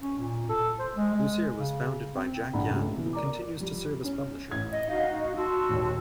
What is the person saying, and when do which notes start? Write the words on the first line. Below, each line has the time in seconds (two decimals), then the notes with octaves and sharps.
"Lucire" was founded by Jack Yan, who continues to serve as publisher.
0.01 C#4
0.19 A#2
0.49 A4
0.79 C5
0.95 G#3
1.14 G#3
1.57 C#3
2.16 C4
2.53 A#1 D3 F#5 A#5 B5
2.70 C#2 A3 G4
2.95 B2 E3
3.13 A#4 D5 A#5 D6
3.57 F3 G3
4.04 C#4
4.51 A1 G#6
4.72 D#5
4.88 D#4 F#4 D#5 F5
5.37 F#4 A5 C6 E6
5.69 D#1 D#3 C#5